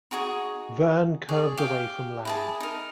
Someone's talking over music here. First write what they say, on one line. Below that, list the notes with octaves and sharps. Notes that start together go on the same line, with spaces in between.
Verne curved away from land.
D#4 F#4 G#4 C#5
G#4 C#5 D5
G4 F5
E4 G#4 A5
D#4 A#4